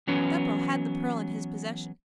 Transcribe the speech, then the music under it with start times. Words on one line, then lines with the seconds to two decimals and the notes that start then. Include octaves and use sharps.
Beppo had the pearl in his possession.
0.07 E3 F#3 B3 C#4